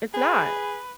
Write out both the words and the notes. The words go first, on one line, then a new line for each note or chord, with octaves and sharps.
It's not,
G#4 B4